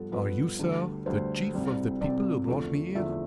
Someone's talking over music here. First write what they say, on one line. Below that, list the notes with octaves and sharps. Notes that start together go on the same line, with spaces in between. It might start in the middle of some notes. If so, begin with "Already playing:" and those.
"Are you, sir, the chief of the people who brought me here?"
Already playing: G2 F3 B3 A4
G2 F3 B3 B4
D2 D3 G3
D2 D3 G3 C5
C2 C3 G3 C4
C2 C3 G3 C4 D5
E2 D3 F3 A3
E2 D3 F3 A3 E5